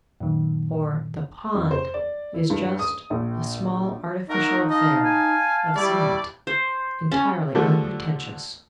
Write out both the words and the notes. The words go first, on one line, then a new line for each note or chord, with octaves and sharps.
For "the pond" is just a small artificial affair of cement, entirely unpretentious.
F#2 A#2 D#3
F2
C5
D5
E4
G2
D#6
A#1
A3 A#3 D#4 A#4 F#5
D#5 F5 A5
G#5
G3 A3 E4 D5
C5
C#4
D3 F3 G3 A3